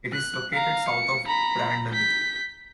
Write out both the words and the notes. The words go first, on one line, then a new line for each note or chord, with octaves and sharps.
It is located south of Brandon.
F#6
F5 A#5
C#7
A#5 B5
G6 B6